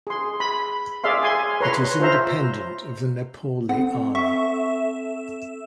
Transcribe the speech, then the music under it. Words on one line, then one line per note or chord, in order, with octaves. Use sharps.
It is independent of the Nepali Army.
G#4 C6
B5
G#4 D5 E5 F5 C6
G#5 C6
B4 C#5 A#5 C6
F4 C5 E5 A#5
C4 A4 F#5
E5 C#6